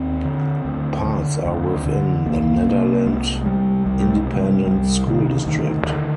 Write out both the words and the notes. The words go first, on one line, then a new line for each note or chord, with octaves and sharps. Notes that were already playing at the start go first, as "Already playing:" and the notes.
Parts are within the Nederland Independent School District.
Already playing: D#2 C4
D3
D2
D3
D2
D3
C2 A#3
C3
C2 G#3
C3 G3
C2 G3
G#3
C3
F3
G3
C2 G3
C3 D#3
D2 D#3
D3